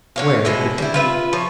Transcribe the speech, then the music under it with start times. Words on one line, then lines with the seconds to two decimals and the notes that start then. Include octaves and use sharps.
Where could he be?
0.16 D3 C#5 F5
0.45 B2 G#3 B3 E4
0.78 G3 E4
0.94 F4 B4 E5
1.33 F3 C#5